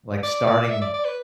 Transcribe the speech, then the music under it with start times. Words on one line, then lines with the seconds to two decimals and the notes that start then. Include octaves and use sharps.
like starting
0.23 D5
0.47 D5
0.70 E5
0.81 D5
0.94 D5
1.05 B4